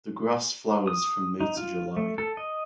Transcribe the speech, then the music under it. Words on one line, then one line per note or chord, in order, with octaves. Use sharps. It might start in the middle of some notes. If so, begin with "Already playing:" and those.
The grass flowers from May to July.
D#6
D#4
F4
A3
A4
D#5